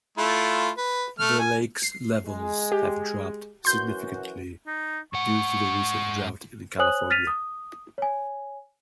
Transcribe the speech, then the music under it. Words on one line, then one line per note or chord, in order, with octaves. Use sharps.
The Lakes levels have dropped significantly due to the recent drought in California.
A3 E4 F4
B4
A3 F6
G#5
C7
G#3
G4
F#2 E3 F#4 C6 G6
D#4
G#2 F#5 C#6
C5 C#5 G#5 D#6 F#6 F#7
F6 A6 B6 D#7 F7
D#6
C#5 G#5